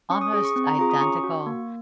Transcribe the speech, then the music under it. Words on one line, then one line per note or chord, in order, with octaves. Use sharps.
almost identical
C#4 C#6
D#6
G#4 D#6
C#6
C4 C#6
A#5
F4 G#4 A#5
D#6
C#4 C#6
F#4
A#3